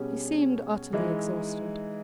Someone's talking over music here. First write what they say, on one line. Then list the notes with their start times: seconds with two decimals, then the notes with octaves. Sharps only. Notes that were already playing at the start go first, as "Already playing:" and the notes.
He seemed utterly exhausted.
Already playing: B2 G3 C#4 G#4
0.93 E3 G#3 D#4